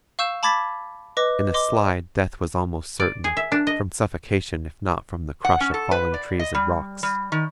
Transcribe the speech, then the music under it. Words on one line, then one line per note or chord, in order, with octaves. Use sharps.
In a slide death was almost certain, from suffocation if not from the crush of falling trees and rocks.
F5 C#6 E6 G6 E7
A5 B5 D6 G#6 A6 B6
B4 D#5 D6 A#6
D#5 C6 D6
D5
G#4
E5
D4
D#5
F#5
C#4
A4
B4
D5
D#5
G3
G3
D#3